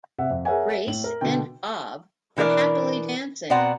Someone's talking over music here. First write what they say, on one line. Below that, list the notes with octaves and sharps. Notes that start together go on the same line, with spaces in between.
Grace and Bob are happily dancing.
C3 E5 F#5
F2
G#4 A#4 C#5 E5 F#5 G#5
A2 F#7
A#4
B2 D3 G5
B2 E3 D4 A#4 D5
B2 C4 D5 F#5 A#5